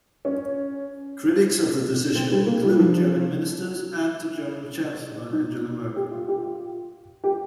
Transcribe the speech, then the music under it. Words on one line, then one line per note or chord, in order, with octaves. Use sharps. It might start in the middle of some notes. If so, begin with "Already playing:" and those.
Critics of the decision include German Ministers and the German Chancellor Angela Merkel.
C#4
C4
G3
A#3
G3
F3
D#4
G4
F4
G4
F4
G4